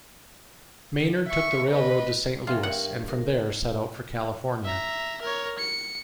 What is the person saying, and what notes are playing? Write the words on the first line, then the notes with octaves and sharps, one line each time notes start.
Maynard took the railroad to Saint Louis, and from there set out for California.
E5 C#6
B4 D#5
E2 F4 A#4 E5 G5
G2 F#5
A#4
E5 A#5
A#4 C#5
C#7